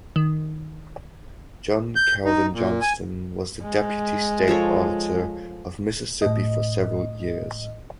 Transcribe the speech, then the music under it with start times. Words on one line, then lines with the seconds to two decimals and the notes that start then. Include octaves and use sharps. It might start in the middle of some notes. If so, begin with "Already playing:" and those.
John Calvin Johnston was the deputy state auditor of Mississippi for several years.
0.16 D#3
1.96 G6
2.25 D#4
2.53 A#2
2.82 G#5
3.62 G#3
4.48 F3 A4 C#5
6.22 A2 D#5